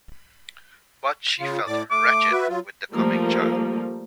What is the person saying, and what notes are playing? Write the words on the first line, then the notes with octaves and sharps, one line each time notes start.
But she felt wretched with the coming child.
C#3 F4
A2 D5 D6
A3 D6
F#4 B4 E5
F#3 F4
F3 G3 A3 A#3